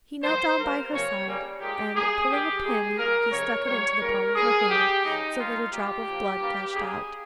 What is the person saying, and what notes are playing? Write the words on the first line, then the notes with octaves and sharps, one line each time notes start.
He knelt down by her side, and pulling a pin he stuck it into the palm of her hand, so that a drop of blood gushed out.
G2 F3 A#3 C5
G2 G3 A#3 A#4
C3 F3 A#3 C#5
C#3 G3 A#3
A#2 G#3 G4
A#2 G3 A#3 G#4
G#2 D#3 G#3 G4
A#2 G#3 G#4
A#2 G3 A#3 A#4
C3 F3 G#3 C#5
A#2 G3 A#3 C#5
G#2 G3 A#3 A#4
G2 G3 A#3 G#4
C#3 F3 G#3 G4
C#3 G#3 D#4
G2 F3 A#3 F4
A#2 G3 A#3 G4
A#2 F3 A#3
G2 G3 A#3
C#3 G3 A#3 G#4